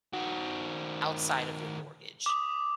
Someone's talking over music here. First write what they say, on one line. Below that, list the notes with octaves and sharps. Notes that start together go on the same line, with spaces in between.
outside of your mortgage,
D#3 F#4
D6 D#6